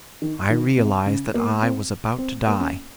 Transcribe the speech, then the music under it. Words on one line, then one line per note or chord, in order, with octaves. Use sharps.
I realized that I was about to die . . .
D#3
D#3
C3
C#3
A#3
C4
C4
A#3
C#4